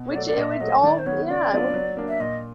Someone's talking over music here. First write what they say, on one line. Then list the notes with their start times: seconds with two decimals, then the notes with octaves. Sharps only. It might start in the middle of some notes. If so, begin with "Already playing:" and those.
Which it would all yeah. It would be
Already playing: B2
0.08 C#5
0.14 F#3 A3 D5
0.26 D5
0.37 A#2 D#5
0.51 E5
0.60 F#3 A3 D#5
0.83 D#3 D5
0.99 C5
1.06 F#3 B3 C#5
1.29 C#3 D5
1.52 F#3 B3 D4 F4
1.74 F#3
1.97 A#3 D4
2.08 E5
2.20 A#2 D#5